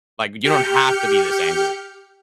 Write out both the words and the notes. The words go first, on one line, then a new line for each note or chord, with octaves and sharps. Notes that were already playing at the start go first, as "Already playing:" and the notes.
Like, you don't have to be this angry."
G4 F6 G6 C#7